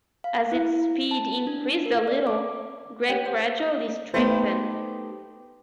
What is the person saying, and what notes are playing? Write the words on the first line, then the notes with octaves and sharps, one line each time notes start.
As its speed increased a little, Greg gradually strengthened.
F5
E4
A5
D4
A#4
D5
D6
G4 C#5 F#5 G5
C5
A3 B3 D#4 G4 B4 C5